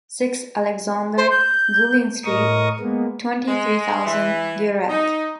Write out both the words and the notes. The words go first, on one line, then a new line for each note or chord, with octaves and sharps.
Six Alexandre Guillon Street, twenty-three thousand, Guéret.
C5
G6
A2 A#4 D#5 C#6 D#6
G#3 A#3 B3
G#3
E3
D#4